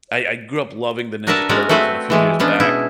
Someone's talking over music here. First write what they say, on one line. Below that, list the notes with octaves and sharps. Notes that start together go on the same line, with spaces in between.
I I grew up loving the Ninja Turtles, and a few years back,
D4 F#4 A#4 B4 E5 A5
G#3 C#4 F#4 A#4 D5
A3 C4 F#4 B4 C5
E3 G#3 A3
G#3 B3 C#4 D4
B2 E4 G#4